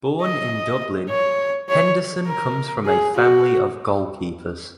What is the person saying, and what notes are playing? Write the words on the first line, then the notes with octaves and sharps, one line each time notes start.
Born in Dublin, Henderson comes from a family of goalkeepers.
D#5
C#5
C#5
A#4
G#4
F#4